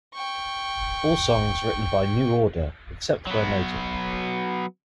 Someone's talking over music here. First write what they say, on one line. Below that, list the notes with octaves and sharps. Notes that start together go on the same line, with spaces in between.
All songs written by New Order, except where noted.
G5 C#6
F#3 B3